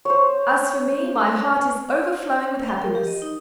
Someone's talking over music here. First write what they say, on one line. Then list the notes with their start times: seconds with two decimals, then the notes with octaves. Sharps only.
"As for me, my heart is overflowing with happiness."
0.05 C5 C#5
2.68 G5
2.82 A#4
2.95 G4
3.07 D#5
3.22 D#4